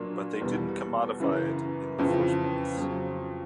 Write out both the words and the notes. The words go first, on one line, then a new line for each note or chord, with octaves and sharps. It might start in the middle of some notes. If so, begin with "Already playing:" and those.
But they didn't commodify it in the first place.
Already playing: A#2 F#3 A#3 D4
E2 B2 G3
F#2 C#3 E3
F2 C#3 E3
F2 C#3 F#3